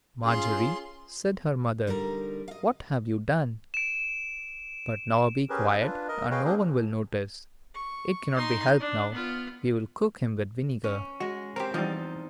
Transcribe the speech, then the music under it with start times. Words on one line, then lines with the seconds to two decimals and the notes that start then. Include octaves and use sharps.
"Margery," said her mother, "what have you done!--but now be quiet, and no one will notice; it cannot be helped now--we will cook him in vinegar."
0.24 C#4 F4 G#4 C6
1.87 D3 G3 D#4 A#4
2.48 D#5 F5
3.74 D7 E7
5.50 C#4 G4 G#4 A#4 B4
5.67 E5 G5 D#6
5.81 D4 F4 B4
6.08 A#4 D#5
6.31 G#4 B4 C#5 D#5 F5 G5
6.44 A#3 C4 D4 G4 G#4 A#4
7.75 C#6
8.36 D#4 C6
8.80 D4
9.13 B3 F4
10.84 C#4
11.20 G#3 F#4
11.56 C4 G4 A#4 C5
11.74 E2 F3 G3 D#4 A5